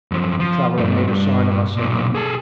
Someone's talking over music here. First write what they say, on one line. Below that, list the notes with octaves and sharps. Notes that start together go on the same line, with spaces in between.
The traveler made a sign of assent.
F#2 F3
F3
G2 A3
G2
B1 A#2
G#4 A4